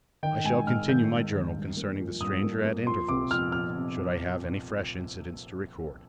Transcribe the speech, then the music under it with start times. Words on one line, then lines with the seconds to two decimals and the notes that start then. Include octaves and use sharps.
I shall continue my journal concerning the stranger at intervals, should I have any fresh incidents to record.
0.23 D#3 G5
0.44 G#2 G#5
0.67 G#2 F6
0.89 D#3 G6
1.11 G#2
1.33 D#3
1.55 G2
1.77 A#3
1.99 F3
2.20 G2 D#6
2.43 A#3
2.65 A#3
2.86 F3 C6
3.09 C3 D6
3.31 F2 F6
3.52 F2 F6
3.75 C3